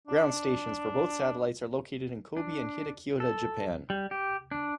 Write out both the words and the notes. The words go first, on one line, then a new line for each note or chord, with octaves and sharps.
Ground stations for both satellites are located in Kobe and Hitachiota, Japan.
D4
D4
A4
G3
G4
D4